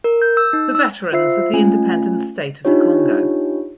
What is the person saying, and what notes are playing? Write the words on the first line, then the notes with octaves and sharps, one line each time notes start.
The veterans of the Independent State of the Congo.
A#4
G6
E6
D#4
E6
F4 C5 E5 E6 C7
A3 C#4 F4 G#5
D4 D#4 F4 G4 C#5